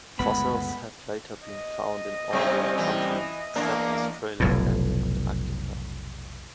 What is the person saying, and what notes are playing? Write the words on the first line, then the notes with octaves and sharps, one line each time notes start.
Fossils have later been found in all continents except Australia and Antarctica.
G1 D2 C#3 G#3 B3 B5
D#5
C3 G3 C4 C#4
E3
E2 G#2 A#3 D4
F1 B1 A2